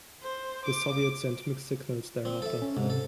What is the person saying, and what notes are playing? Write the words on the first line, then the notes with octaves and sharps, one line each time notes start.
The Soviets sent mixed signals thereafter.
C5
D6
C4
A4 E5
C#4
G#2 C3
A4